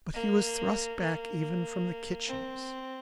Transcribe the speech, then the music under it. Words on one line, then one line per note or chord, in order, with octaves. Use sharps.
But he was thrust back even from the kitchens.
A#3
A#3
C4